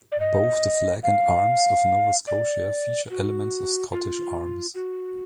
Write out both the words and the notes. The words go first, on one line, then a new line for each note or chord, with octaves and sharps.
Both the flag and arms of Nova Scotia feature elements of the Scottish arms.
D5
D#5
F5
D5
F#4
F4
F#4